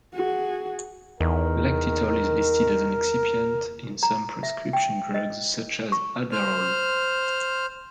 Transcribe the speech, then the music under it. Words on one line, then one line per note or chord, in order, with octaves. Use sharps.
Lactitol is listed as an excipient in some prescription drugs, such as Adderall.
F#4 G#4
E2 D#3 A#4
A#5
E5
G5
D#5
C#6
C5 F6